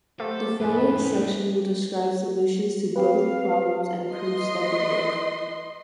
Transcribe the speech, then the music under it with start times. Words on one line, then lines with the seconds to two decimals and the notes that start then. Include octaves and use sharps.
The following sections will describe solutions to both problems and proofs that they work.
0.20 F#3 A3 G4 A4 C5
0.60 F2 A2 D#3 B4
0.99 F2 D#4
2.96 C4 G4 B4 F5
4.11 E3 D#5 C6